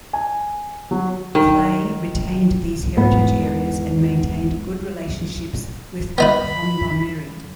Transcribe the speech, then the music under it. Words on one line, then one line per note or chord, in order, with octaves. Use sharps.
Fleay retained these heritage areas, and maintained good relationships with the Kombumerri.
G#5
F#3
D#3
E2 G#2 B3
B3 D#4 B4 B5